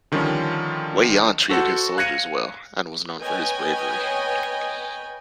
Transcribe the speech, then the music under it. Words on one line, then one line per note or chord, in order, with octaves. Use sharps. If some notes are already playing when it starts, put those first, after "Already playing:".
Wei Yan treated his soldiers well and was known for his bravery.
D3 D#3 F3 G3 C#4
F#4 A4 C5 F#5
F5 F#6 G#6 A#6 C#7 D#7
B4 C#5 D#5 G5 G#5